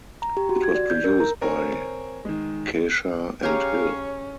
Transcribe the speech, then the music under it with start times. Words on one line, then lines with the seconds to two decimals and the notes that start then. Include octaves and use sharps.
It was produced by Kesha and Hill.
0.22 A#5
0.37 G4
0.49 F#4
0.63 G#6
0.75 D5
0.90 G6
1.04 A#4
1.20 A#5
1.41 C4 A#4 C#5 G#5
2.25 D#3 G#3
3.43 C#4 G4 G#4 C#5 F5 A#5